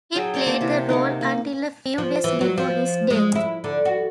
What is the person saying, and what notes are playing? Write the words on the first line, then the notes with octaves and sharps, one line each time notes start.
He played the role until a few days before his death.
F#3 G#4 A4 G5
C#5 D5 G5 C#6
A#3 A4 C5
C3 E3
D#4 A#4 F5 F#5
A#3
F3
E3
F#3
F3
G#3
E4
D3
F#4